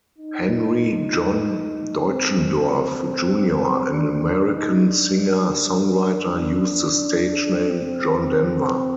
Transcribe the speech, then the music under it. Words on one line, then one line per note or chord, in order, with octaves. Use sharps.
Henry John Deutschendorf Junior an American singer-songwriter used the stage name John Denver.
D#4
C4
D4
D4
D#4
D4
C4